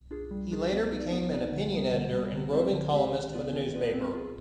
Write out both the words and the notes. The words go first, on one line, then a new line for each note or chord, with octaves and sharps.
Later he became an opinion editor and roving columnist for the newspaper.
D4 F4 G#4
G3
D4 F4 G#4
B3
D#4 B4 D5
B3
D#4 B4 D5
D3
G3 B3
D3
G3 B3
D3
G#3 C4 G4 C5
D3
G#3 C4 G4 C5
D#3
B3 F4 B4 D5
D#3
B3 F4 B4 D5
C4
F4 G#4